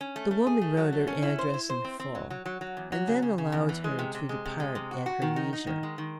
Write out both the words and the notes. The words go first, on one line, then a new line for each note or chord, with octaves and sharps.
The woman wrote her address in full and then allowed her to depart at her leisure.
C#4
A3
A3
G#4
A3
F#3
A3
C#4
E4
C5
E4
C5
C4
C4
F#3
F#3
F#3
F#3
E2
F#3
C#3
C#3
C#3
E2
E3
G#3
C3
C3
G#3
C3
G#3
C3
F#4
F#4
D#3
D#4
D#4
D#3
G#3
D#3